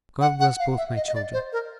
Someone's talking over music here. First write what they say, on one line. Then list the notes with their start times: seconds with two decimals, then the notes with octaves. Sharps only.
God bless both my children!
0.21 F#5
0.40 F#5
0.59 F5
0.77 E5
0.96 D#5
1.07 D#5
1.15 D5
1.33 C5
1.52 A#4